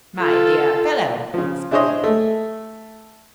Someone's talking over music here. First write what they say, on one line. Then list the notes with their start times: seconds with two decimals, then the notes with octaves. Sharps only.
"My dear fellow!" he exclaimed.
0.18 F4 A4
1.34 C#3 F3
1.71 D4 E4 G#4 C5 C#5 D#5
2.04 A3